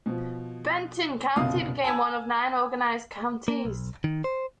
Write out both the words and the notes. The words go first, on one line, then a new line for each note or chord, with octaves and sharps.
Benton County became one of nine organized counties.
B2 F3
F#1 C2 B2 F5 D#6
G#5 A5 E6 G#6
A#3
B1
D#3
C5